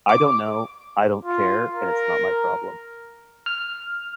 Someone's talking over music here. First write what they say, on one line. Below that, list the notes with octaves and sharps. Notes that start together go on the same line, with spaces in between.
I don't know. I don't care. And it's not my problem.
D6
F4
A#4
F6